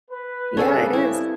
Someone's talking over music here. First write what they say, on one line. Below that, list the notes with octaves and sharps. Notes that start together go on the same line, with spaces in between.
Yeah, it is.
B4
G2 C#3 C4 D4 G#4 A4 B4 C#5
E4